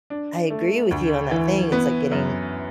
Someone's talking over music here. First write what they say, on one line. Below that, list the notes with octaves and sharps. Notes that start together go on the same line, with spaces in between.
I agree with you on that thing, it's like getting,
D4
A3
D2
E3
B3
F#2